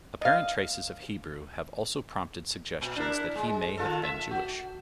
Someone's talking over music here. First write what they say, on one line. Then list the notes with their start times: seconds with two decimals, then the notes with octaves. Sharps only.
Apparent traces of Hebrew have also prompted suggestions that he may have been Jewish.
0.21 D#5 F5
2.81 A#2
2.96 D4 E4 A#4
3.35 G#3
3.77 D#3 F4 A4
4.03 E5
4.31 F#4